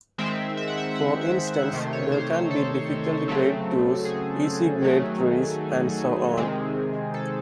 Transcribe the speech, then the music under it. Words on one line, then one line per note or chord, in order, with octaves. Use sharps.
For instance, there can be difficult grade twos, easy grade threes, and so on.
D#3 G#3 C4 E5
E5
F#5
E5
F#5
E5
E5
F#5
E5
C3 D#3 A3 C5
C#5
C5
A4
C#3 F#3 A3 C4
G#4
D#3 F#3 A3
C3 D#3 G#3 C4
A4